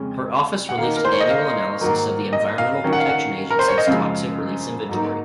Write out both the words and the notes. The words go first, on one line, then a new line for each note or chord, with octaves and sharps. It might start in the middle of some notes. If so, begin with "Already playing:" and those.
Her office released an annual analysis of the Environmental Protection Agency's Toxic Release Inventory.
Already playing: F2 C#3 G#3 C#4
F#5
D#3 A#3 D#4 F5
A#4
C5
C#5
D#5
F5
G#2 D#3 F#3 A#3
D#5
F5
D#3 F#3 C#4
F#5
F5
F#5
A#4
C5
C#5
D#5
F#2 C#3 F3 G#3 F5
G#2 F#3 A#3 D#4